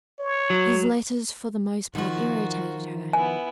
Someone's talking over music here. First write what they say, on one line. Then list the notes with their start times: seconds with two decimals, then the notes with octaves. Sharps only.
His letters for the most part irritated her.
0.19 C#5
0.50 F#3
1.95 D#3 F3 F#4
3.13 B3 E4 G#5